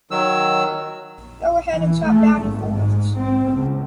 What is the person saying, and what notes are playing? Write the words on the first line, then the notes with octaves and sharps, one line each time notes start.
Go ahead and chop down your forests.
D#3 F#3 E6
E3
A3
G#1
G#2
C4
C#2